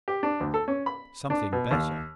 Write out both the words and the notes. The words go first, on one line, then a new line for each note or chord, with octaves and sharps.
Something better!
G4
D4
D2
A4
C#4
B5
D4
B2
D#2